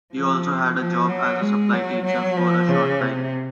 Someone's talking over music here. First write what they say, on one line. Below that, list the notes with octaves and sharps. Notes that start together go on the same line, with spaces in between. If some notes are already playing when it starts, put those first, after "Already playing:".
He also had a job as a supply teacher for a short time.
F3
F3
F#3
G#3
F#3
F#3
F3
C#3
C3